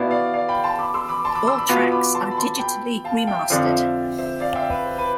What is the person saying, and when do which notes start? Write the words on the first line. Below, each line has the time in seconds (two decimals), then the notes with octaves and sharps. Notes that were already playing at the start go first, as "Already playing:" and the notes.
All tracks are digitally remastered.
Already playing: B2 B3 E4 D5 F5
0.11 D5 F5
0.34 D5 F5
0.49 G5 B5
0.64 A5 C6
0.79 B5 D6
0.94 C6 E6
1.09 B5 D6
1.25 A5 C6
1.35 B5 D6
1.47 C6 E6
1.58 B5 D6
1.69 B2 B3 F4
1.92 B5 D6
2.15 A5 C6
2.31 B5
2.37 A5 C6
2.59 G5 B5
3.04 F5 A5
3.27 E5 G5
3.50 F2 D3 F3 D5 F5
3.65 C5 E5
4.18 C5 E5
4.40 D5 F5
4.55 E5 G5
4.70 B4
4.86 C5
4.98 B4